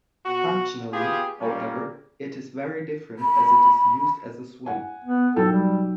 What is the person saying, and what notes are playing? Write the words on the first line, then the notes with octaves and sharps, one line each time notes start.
Functionally, however, it is very different as it is used as a swing.
B2 F#4
B3 F4 G4 G#4
A#2 G3 A#3 C#4
B5
F#5 G#5
B3
B1 A4 G5 E6
G3